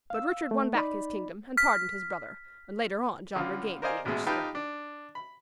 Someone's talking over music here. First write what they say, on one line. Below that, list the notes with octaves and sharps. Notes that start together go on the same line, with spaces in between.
But Richard won back his kingdom and pardoned his brother, and later on John regained the English throne.
F5 E6
A3
D#4 D5 B5
F6 B6
C#2 D3 F4
A#4 C5 D5 D#5 F5 G#5
A1 B2 G#3 E5
D#4 F4 G4 B4 G5 A5
D4
B5